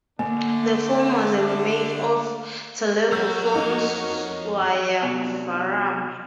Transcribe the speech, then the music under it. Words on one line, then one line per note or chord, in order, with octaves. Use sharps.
The film was a remake of Telugu film "Swayamvaram".
D3 A3 A#3 D4
F#3 F#4 A#4 C#5 A#5 E6 G6
F2 D#4
C3 F3 F#3 B3 D5 G#5